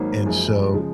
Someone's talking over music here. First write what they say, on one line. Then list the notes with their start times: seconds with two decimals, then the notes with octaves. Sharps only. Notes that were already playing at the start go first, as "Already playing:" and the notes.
and so
Already playing: G#1 F#3 A#3 D#4
0.26 F#1 F#2 F3 G#3
0.73 C#3 F3 G#3